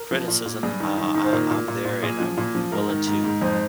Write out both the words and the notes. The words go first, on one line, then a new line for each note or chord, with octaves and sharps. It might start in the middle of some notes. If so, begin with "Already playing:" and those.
criticism, uh, I I'm there, and I'm willing to,
Already playing: A#4
F3
A#2
A#2
G2 G#4
D#3
D#3
D#3
C5
A#2 A#4
A#2
A#2
A#2
A#2 G#4
F3
A#2
F3
G#2 A#4
D#3
G#2
G#2
F2 C5